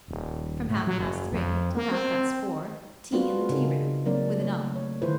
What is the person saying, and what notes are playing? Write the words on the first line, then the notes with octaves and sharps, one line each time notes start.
From half past three till half past four tea in the tearoom, with a novel.
D#1
A2
F#3
F#1
F2
A#3
C4
B3 C4 D4 F4 F#4 B4
C#3 C#4 D#4 A#4
F#3 A#3 C4 D4 A#4 D5
A3 C#5
C#5
D3 D#3 E4 F4 B4 C5